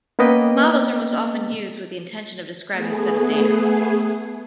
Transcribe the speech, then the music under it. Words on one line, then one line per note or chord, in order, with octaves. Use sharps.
Models are most often used with the intention of describing a set of data.
A#3 B3 C#4 B4 D#5 G5
A3 B3 G#4